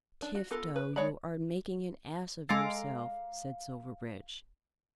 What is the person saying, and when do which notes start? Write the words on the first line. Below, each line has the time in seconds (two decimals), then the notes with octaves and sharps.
"Tifto, you are making an ass of yourself," said Silverbridge.
0.22 D4
0.35 F#4
0.51 B3 F4 A4 A#4
0.76 B4
0.96 G#3 C#5 D5 F#5 B5
2.49 G#3 A4 F5 A#5 D6